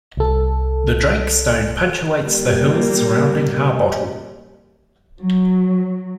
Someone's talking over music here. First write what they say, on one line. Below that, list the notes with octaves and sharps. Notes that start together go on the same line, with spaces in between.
The Drake Stone punctuates the hills surrounding Harbottle.
C2 A4
G3 A#3
F#3